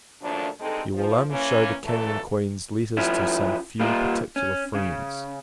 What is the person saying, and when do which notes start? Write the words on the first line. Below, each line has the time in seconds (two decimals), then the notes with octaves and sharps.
You will only shew the King and Queen's letters to some few particular friends.
0.23 F#2 A#2 D#3 F3 A3 D4
0.60 G2 G#3 C4 D#4 A4
0.95 F3
1.31 E3 A#3 C#4
1.84 F#2 A#2 E3 A3 A4
2.97 F3 C#4 E4
3.80 G3 A#3 D#4 F4
4.36 C#4
4.75 C#3